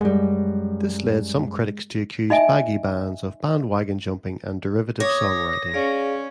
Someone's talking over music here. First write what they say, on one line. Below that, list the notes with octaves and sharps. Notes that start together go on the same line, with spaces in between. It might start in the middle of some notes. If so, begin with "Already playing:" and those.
This led some critics to accuse baggy bands of bandwagon-jumping and derivative songwriting.
F#2 G3 G#3
D#4 D#5 E5 G#5
C#5 D6 D#6 A#6
C#4 G#4 D5 F5